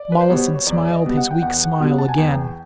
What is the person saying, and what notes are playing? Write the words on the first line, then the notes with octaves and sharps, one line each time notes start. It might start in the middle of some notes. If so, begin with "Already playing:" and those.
Mollison smiled his weak smile again.
Already playing: D5
B4
C5
B2 G3 B3 C#5
C#5
E2 D5
D#5
B2 G3 B3
F#5
G5
E2 F#5
B2 G3 B3
A5
G#5
E2 G5